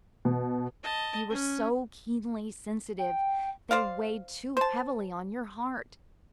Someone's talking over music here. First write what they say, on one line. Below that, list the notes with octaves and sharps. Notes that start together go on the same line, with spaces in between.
You were so keenly sensitive--they weighed too heavily on your heart.
B2
D#5 A5
C#4
G5
C5 D5 F5
C5 A5